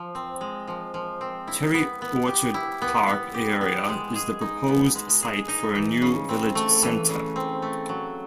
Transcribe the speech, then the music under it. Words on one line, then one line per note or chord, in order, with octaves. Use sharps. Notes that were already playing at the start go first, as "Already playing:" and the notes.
Cherry Orchard Park area is the proposed site for a new Village Centre.
Already playing: F3
C4
G#3
F3
F3
C4
E4
B3
B3
G4
E4
B3
B3
G4
B3
G#3
G#4
D#4
B3
G#3
G#4
D#4
E3
C#3
C4
A3
E3
C#3
C4
A3
F#3